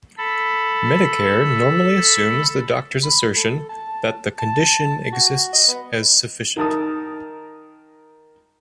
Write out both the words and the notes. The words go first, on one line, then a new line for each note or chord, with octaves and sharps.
Medicare normally assumes the doctor's assertion that the condition exists as sufficient.
A4 B5
B5
A4
A5
A5
F#4
D#5
B3
D#3 D#4 A#4 A5 D#6